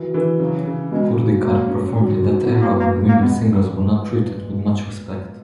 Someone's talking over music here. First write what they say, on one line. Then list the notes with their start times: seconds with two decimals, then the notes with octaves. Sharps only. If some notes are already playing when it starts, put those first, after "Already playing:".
Kurdikar performed in that era when women singers were not treated with much respect.
Already playing: E3 F#3
0.14 E3
0.39 C#3 F#3
0.65 C#3
0.91 B2 G#3
1.17 F#3
1.42 G#2 A#3
1.68 C#4
1.94 F#3
2.19 F#3
2.45 B3 E4
2.62 A#3
2.70 B3
2.80 A#3
2.96 A#2
3.08 A#3
3.22 G#3 B3